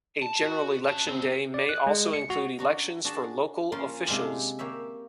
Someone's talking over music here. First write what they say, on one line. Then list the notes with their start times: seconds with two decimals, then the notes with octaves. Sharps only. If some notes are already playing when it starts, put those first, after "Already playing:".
A general election day may also include elections for local officials.
0.22 A5
0.42 F#4
0.84 C#4 A5
1.07 C#3 C4
1.54 D5
1.69 F#6
1.87 G#3
2.13 C#7
2.30 F#4
2.58 D4 F#4 A#5
3.05 D4 F#4 G#4 A5
3.72 F3 A#3 C#4 F4 A#4 C6
4.07 C3 G#3 D4 F4 G4
4.59 A#3 G4 C#5 E5